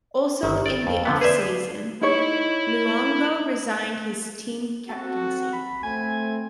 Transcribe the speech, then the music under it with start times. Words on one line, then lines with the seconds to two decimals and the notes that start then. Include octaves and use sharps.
Also in the off-season, Luongo resigned his team captaincy.
0.43 G1 D#3
0.66 D5
0.87 F2
1.05 D3 F3 B3
1.21 G#4 B4 C5 D5 E5
2.01 D#4 E4 C#5
4.89 C4 F#4 A4
5.53 B5
5.83 A3 C4 G#5